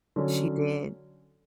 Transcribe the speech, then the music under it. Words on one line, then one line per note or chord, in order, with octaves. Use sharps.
She did.
D3 F#3 C#4